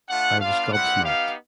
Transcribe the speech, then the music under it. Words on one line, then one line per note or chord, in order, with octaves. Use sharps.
I was gobsmacked.
A3 D4 F4 F#5
B3 D4 F4 F5
G3 C4 E4 F#5
B3 D#4 G4 F5